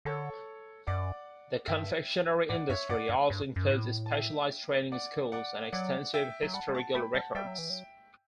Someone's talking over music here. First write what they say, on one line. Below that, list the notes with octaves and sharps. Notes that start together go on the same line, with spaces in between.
The confectionery industry also includes specialized training schools and extensive historical records.
D3 A4 C#5
F#2 D5 F#5
G2 E5 G5
A2 D5 F#5
G2 C#5 E5
G2 D5 F#5
G2
G2
F#2
G2
A2
A5
E5 G5
D5 F#5
D5 F#5
F#3 D5 F#5
E5 G5
F#3
G3 F#5 A5
G3
A3 F#5 A5
A3 G5 B5
G3 F#5 A5
G3 E5 G5
F#3
E3
F#3